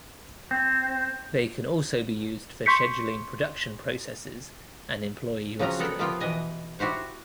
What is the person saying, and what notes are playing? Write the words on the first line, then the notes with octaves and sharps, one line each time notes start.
They can also be used for scheduling production processes and employee rostering.
C4
C6 C#6 G6 B6 C#7
C#3 F3 F#3 C4 C#4 A#5
B3 A4 A#4 F#5 G5
C3 F3 A#3 B3 F4 G5
B2 E3 B4 D#5 G#5
E4 F#4 G4 C5 C#5